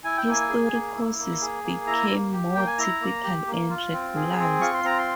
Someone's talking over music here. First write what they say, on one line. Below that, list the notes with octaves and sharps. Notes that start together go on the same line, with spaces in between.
History courses became more typical and regularized.
E4 G#5
G5
A#3 G#5
G#4
A#3
E4
A#3
G#4
A#3
E4 A#5
A#3
G4
A#3 G5
G#5
E4 A#5
A#3
G4
A#3
F4
C4
G#4
C4
F4 C#6
C6
C4 A#5
C6